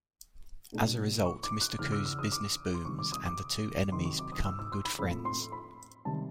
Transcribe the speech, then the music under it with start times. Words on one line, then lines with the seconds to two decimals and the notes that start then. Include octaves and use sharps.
As a result, Mr. Khoo's business booms, and the two enemies become good friends.
0.72 B2 F#3 A3 D4 F4
1.26 C#6
1.43 D6
1.61 F#6
1.79 E2 C#3 E3 F6
1.92 E6
2.06 E6
2.19 D#6
2.32 D6
2.74 C6
2.85 C3 D#3 G3 C#6
2.99 D6
3.12 D#6
3.26 D6
3.92 C3 D#3 F#3 C6
4.05 C#6
4.19 D6
4.32 D#6
4.45 E6
4.59 E6
4.72 C6
4.85 B5
4.99 A2 F3 A3 C4 F4 B5
5.25 C6
5.52 B5
6.05 C3 D#3 G3 A5